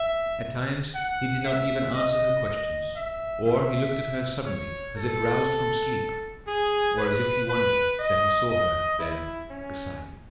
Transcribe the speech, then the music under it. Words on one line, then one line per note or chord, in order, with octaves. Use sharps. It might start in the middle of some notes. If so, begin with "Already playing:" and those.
At times he did not even answer her questions, or he looked at her suddenly as if roused from sleep, or as if he wondered that he saw her there beside him.
Already playing: E5
F#5
E5
D#5
D#5
E5
E5
C#5
A4
G#4
B4
B4
D#5
D#5
E4
C#4